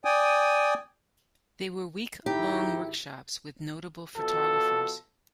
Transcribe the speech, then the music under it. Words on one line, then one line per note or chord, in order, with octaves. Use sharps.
They were week-long workshops with notable photographers.
D5 G5 G#5 D#6
G#1 D#4 E4 G4
B2 F3 A4